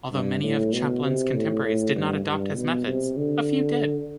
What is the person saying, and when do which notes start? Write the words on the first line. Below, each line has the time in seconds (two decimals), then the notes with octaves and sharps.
Although many of Chapelon's contemporaries did not adopt his methods, a few did.
0.12 G2
0.43 A2
0.73 B2
1.04 C3
1.34 A2
1.64 A2
1.95 G2
2.26 G2
2.56 B2
2.87 C3
3.17 D3